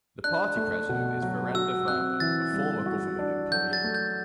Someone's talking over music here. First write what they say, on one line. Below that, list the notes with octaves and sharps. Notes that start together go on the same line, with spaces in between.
The party president is Virender Verma, a former government employee.
D4 F#6
A3
B2
F#3
F#4 E6
C4 F#6
E3 A6
G3
F#4
D4
F#3 G6
A6
A3
G6